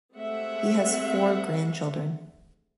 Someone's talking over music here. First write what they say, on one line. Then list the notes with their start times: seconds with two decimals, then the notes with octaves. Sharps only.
He has four grandchildren.
0.15 G#3 A3 C4 G4 E5 F#5